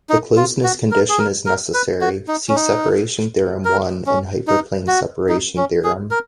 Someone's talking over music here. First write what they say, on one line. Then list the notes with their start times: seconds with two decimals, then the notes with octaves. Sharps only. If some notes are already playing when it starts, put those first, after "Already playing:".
The closedness condition is necessary, see Separation theorem I in Hyperplane separation theorem.
0.09 D#4
0.37 F4
0.64 F#4
0.91 A#4
1.09 G#4
1.19 A#4
1.46 A#4
1.74 B4
2.01 F#4
2.28 D#4
2.49 C#4
2.56 D#4
3.65 A#4
4.07 C#4
4.47 D#4
4.88 F#4
5.29 D#4
5.57 C#4
5.84 G#4
6.11 A#4